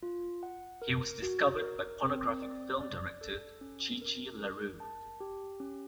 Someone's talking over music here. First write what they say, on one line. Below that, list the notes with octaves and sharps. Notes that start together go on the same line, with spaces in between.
He was discovered by pornographic film director Chi Chi LaRue.
F4
F#5
A#4
F#4
A#4
C4
D5
D5
A4
C#4
A#4
A#4
A5
G4
C#4